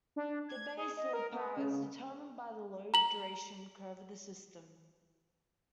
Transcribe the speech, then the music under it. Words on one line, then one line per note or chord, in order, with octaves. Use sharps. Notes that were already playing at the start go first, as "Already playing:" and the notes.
The base load power is determined by the load duration curve of the system.
D4
G#6
G#4
D#5
A#4
B3
C#3
A#5 F#7